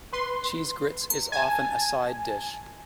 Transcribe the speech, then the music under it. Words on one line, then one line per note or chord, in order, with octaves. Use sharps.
Cheese grits is often a side dish.
B4 C6
G#5 A5